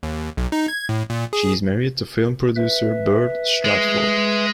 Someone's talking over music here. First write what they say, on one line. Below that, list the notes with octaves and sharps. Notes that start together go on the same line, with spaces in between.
She is married to film producer Bert Stratford.
D#2
B1
D#4
G#6
A2
A#2
G#4
B4 E5
G#3